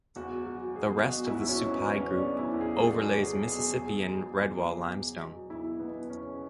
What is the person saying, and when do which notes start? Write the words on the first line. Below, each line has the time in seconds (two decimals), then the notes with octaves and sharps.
The rest of the Supai Group overlays Mississippian Redwall Limestone.
0.16 E2 F#4
0.46 F#3 F#4
0.75 E2 G#4
1.04 B2 F#4
1.27 E4
1.34 E2 F#4
1.42 E4
1.49 C#4
1.64 F#3
1.72 B3
1.94 E2 C#4
2.16 D4
2.24 B2
2.39 E4
2.54 E2
2.61 G#4
2.83 F#3 A4
3.12 E2 G#4
3.42 B2 G#4
3.72 E2 G#4
4.02 F#3
4.31 E2
4.61 B2
4.90 E2
5.20 F#3
5.50 E2 E4
5.79 B2 B3
6.09 E2 C#4